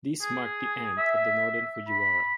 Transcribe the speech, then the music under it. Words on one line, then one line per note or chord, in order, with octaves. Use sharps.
This marked the end of the Northern Fujiwara.
G#4
E5
B5